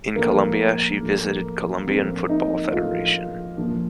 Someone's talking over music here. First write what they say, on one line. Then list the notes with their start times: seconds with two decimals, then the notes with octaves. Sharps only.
In Colombia, she visited Colombian Football Federation.
0.16 A2 F3 A#3
1.01 A2 F3
1.87 A2 F3 C4
2.29 D#4
2.72 A2 F3 F4
3.57 A#2 F3